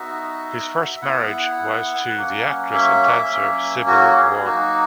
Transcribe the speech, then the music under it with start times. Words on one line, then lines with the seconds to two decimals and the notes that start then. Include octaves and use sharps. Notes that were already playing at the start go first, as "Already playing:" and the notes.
His first marriage was to the actress and dancer Sybil Werden.
Already playing: B3 D#4 F#4 E5
0.96 E5
1.01 B3 E4 F#5
2.16 F#3 A#3 C#4
2.73 E5
3.30 F#3 A#3 C#4
3.87 F#4
4.16 G#4
4.45 F#3 A#3 D#4 F#4